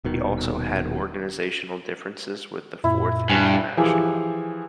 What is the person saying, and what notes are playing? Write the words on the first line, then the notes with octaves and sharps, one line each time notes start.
He also had organizational differences with the Fourth International.
D#1 B2 D#3
F#2 A#2 E4
G2 G#5
E3 F3 G4 G#4